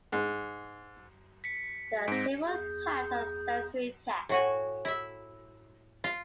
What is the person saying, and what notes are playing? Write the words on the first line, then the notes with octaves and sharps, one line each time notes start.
There are several types of sensory tests.
G#2
B6 C#7
G#2 C4 A#6 D7
E2 G#4 G6
A2 F#4 G#5
E4 E5
F4